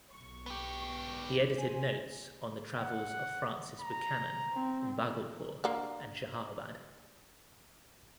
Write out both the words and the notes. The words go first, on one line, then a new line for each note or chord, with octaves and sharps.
He edited notes on the travels of Francis Buchanan in Bhagalpur and Shahabad.
B1 C#6
B3 G4
C5 G#5
F#5
A#5
C4
D3 A#3